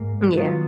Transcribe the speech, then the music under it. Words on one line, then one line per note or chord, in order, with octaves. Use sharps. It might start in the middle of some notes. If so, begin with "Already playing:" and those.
Mm, yeah.
Already playing: G#2 A#3
D#3 F#3 B3 F4